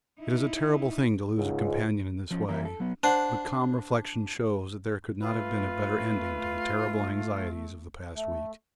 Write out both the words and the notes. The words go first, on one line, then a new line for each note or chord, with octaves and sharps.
It is a terrible thing to lose a companion in this way, but calm reflection shows that there could not have been a better ending to the terrible anxieties of the past week.
D#4 E4
C#2 G#2
F3 C#4
E3 G3 A#3 E4 A#4
A4
F#3 B3
D4 C5 F#5
A3 F4 B4
A3